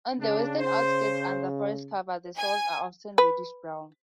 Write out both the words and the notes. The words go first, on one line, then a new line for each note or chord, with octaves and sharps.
On the western outskirts under forest cover, the soils are often reddish brown.
C#3 D4
C5
G#5
B4